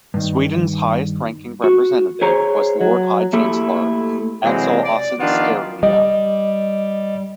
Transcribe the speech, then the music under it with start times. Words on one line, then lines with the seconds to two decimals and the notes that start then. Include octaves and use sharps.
Sweden's highest ranking representative was Lord High Chancellor Axel Oxenstierna.
0.14 G2 D#3
1.64 F#4
2.22 G#4 C5 C#5 A#5
2.81 F#3
3.33 A3 A#3 E4 G4 A4
4.43 C3 E3 F#3 G#3 C4
4.83 D5
5.19 D#3 F3 B3 D4 F4 G4
5.83 G3 D#5